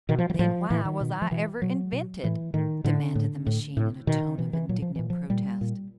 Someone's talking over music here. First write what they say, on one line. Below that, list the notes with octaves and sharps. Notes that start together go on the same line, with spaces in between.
"Then why was I ever invented?" demanded the machine, in a tone of indignant protest.
B2 D#3
F3
F#3
E3
A2 F3
A2 E3
D#3
B2
F3
B2 E3
B2 F#3
B2
A2 E3
A2 D#3
A2 D3
A2
A2
A2
B2 D#3
B2 E3
E3
A#2 F#3
F3
A#2 E3
F3
A#2 G3
A#2